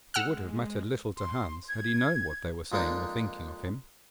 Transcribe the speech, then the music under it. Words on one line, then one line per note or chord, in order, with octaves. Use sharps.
It would have mattered little to Hans had he known what they were saying or thinking of him.
G#3 F#5 E6 F6
C6
G#6
F2 G#3 A#3 D4 D#4